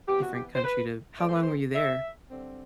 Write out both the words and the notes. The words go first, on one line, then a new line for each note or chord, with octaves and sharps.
different country to how long were you there
C3 E3 B3 G4
F#4
G4
C5
B4
E3 A3 C4 D5
C5
B4
C5
E5
D3 G3 C4